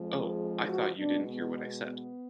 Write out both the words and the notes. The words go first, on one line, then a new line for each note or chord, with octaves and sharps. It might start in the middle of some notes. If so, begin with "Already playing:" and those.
Oh, I thought you didn't hear what I said.
Already playing: F2 F3 G#3
G#4
F#4
B2 G#3 D4
B3
B3